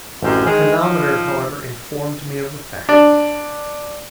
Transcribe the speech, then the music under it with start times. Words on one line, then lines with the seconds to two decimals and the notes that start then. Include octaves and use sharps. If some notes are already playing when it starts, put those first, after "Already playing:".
The chronometer, however, informed me of the fact.
0.23 A1 F#2 C4
0.46 D#3 G#3
0.81 F3
2.89 D4